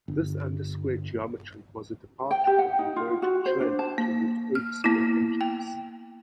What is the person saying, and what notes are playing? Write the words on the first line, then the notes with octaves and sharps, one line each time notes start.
This undersquare geometry was a departure from the emerging trend towards oversquare engines.
G1
G5
G4
F#5
D#4
F4
F#4
C5
D4
A5
A#3
F6
A#3 B3 E4
G5